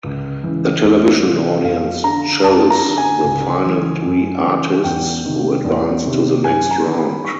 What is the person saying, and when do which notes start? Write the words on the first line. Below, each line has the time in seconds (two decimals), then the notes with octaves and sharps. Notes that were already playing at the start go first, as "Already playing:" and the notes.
The television audience choose the final three artists who advanced to the next round.
0.04 C#2
0.43 C#3 E3
0.84 E2
1.24 C3 E3
1.64 F2 F5
2.04 D3 A#5
2.44 F#2 A5
2.70 A#5
2.84 D3
2.98 G#5
3.24 C#2
3.65 C#3 E3
4.05 F#2
4.44 C#3 E3
4.84 E2 G5
5.25 C3 D#3
5.65 E2
6.05 C3 D#3
6.44 F#2 G#5
6.71 A#5
6.84 D#3
6.98 B5
7.25 C#6